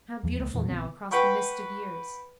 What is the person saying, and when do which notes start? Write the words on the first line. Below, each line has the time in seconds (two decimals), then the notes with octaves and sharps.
How beautiful now across the mist of years!
0.23 E2 F3 G#3
0.39 C#2 G#3 A#3
0.53 E1 F2 A#2 E3
0.68 A#1 D3 B3 C4
1.11 B4 F#5 G5 B5 C#6